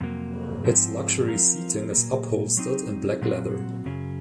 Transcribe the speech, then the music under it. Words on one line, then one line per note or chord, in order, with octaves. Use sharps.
Its luxury seating is upholstered in black leather.
F2 C3 F#3 A#3
G#2 F3 C4
F3 C4 F4 A#4
A#2 F#3 A#3
F#3 C4 D#4
A#2 F#3 C4 F#4
F#2 C#3 F#3 C#4 G#4